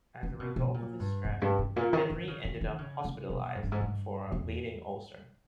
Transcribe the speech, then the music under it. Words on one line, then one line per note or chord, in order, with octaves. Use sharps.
As a result of his stress, Henry ended up hospitalized for a bleeding ulcer.
C#3
B2
B2
A#2
G2
E2
G2
G2
A#2
D#3
D#3
C#3
D#3
D#3
C#3
C#3
B2
G#2
G2
G#2
G2
E2